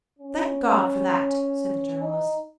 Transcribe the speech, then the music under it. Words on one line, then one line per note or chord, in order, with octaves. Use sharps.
"Thank God for that," said the Journalist.
C#4
D#4